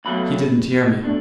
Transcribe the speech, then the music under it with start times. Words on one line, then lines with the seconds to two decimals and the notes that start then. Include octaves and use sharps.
He didn't hear me.
0.05 C#2 B2 F#3 A3 B5
1.01 B2 A3 D4